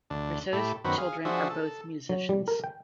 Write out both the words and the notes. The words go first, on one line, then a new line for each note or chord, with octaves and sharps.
Roussos' children are both musicians.
D2 D4
A2 E4 G4 A4
F#2 D#3 B3 C4 F#4 B5
G#4 F5
F3 D4 F#4 G#4 C5 E5
A4
F#3
G3
A#4
G5